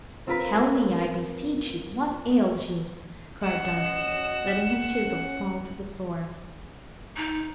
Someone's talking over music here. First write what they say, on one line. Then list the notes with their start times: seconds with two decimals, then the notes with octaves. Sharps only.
"Tell me, I beseech you, what ails you?" cried Dantes, letting his chisel fall to the floor.
0.27 C4 F4 A#4 B4
3.43 F#3 C#4 D#5 F#5 E7
5.02 C#4
7.17 D#4